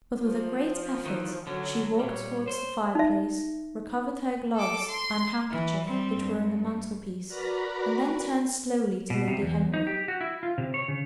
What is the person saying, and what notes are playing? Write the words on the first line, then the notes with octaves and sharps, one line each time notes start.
But with a great effort she walked towards the fireplace, recovered her gloves and handkerchief, which were on the mantel-piece, and then turned slowly to Lady Henry.
F3
D#3 E3
D3 F#3 C#4
A#2 G3 C#5
C5
D#4 E5
A4 D6
C6
E3
G3 C4
G2
F#4 A#4 B4 D5 A#5 B5
B2
C3
E2
D#4
G4
F#4
E4
F4
C3
C#5
C#3